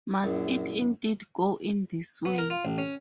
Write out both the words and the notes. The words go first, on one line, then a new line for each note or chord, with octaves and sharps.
Must it indeed go in this way?
A#1 F#2 E4
B3
A#4
F4
A1
C#4